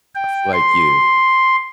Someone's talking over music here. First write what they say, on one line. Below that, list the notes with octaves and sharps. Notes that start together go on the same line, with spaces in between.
I feel like yeah.
G5
C6